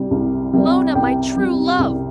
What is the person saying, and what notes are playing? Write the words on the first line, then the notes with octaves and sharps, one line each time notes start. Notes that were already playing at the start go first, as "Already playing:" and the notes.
Mona, my true love.
Already playing: C2 C3 G3
C2
C3 G3
C2 G5
C3 G3
C2